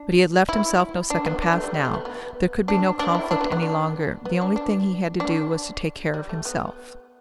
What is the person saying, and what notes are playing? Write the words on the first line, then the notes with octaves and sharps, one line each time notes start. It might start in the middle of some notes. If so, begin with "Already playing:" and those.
But he had left himself no second path now: there could be no conflict any longer: the only thing he had to do was to take care of himself.
Already playing: D4
E4
D4
B3
D4
A3
G3
G3
A3
B3
B3
D4
D4
E4
D4
B3
B3
D4
B3
D4
D4
D4
G3
A3
B3